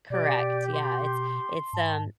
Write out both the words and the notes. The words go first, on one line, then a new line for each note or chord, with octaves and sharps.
Correct, yeah, it's it's, um
B2 G4 D5
C6
G#2 A5